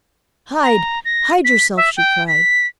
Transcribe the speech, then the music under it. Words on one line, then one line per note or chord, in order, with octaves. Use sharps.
"Hide! hide yourself!" she cried.
A#5
A#6
B6
E5
G5
B6